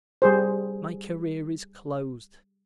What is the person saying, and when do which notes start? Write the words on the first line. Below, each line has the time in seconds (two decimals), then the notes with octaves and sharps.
My career is closed.
0.22 G3 G#4 C5